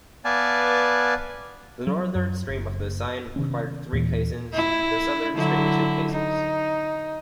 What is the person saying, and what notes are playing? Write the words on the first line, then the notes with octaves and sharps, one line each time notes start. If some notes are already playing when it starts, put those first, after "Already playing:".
The northern stream of the Seine required three caissons, the southern stream two caissons.
B3 B4 D5 F5 G#5 A5
F#3
F#2
F#1
C3 D#3 B3 C#4
D#2 A#2 E3
E4
D3 F#3 E4
D#4